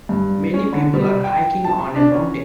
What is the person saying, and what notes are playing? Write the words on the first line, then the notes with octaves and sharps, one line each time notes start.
Many people are hiking on a mountain.
G2
C#4
D3
G3
G5
A5
D4
C#4